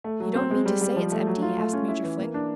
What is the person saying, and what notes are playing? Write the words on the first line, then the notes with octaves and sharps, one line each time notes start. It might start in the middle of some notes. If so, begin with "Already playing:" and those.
"You don't mean to say it's empty?" asked Major Flint.
A3
F#3
C4
G#3
G3
G3
F3
A3
F#3
F4
A3
C#4
E4
E3
A#3
D4